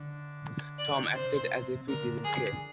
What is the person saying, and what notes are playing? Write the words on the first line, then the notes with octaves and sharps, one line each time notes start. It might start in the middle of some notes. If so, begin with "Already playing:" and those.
Tom acted as if he didn't care.
Already playing: D3
D5
D3
C3 C5
D3 A#4
G#4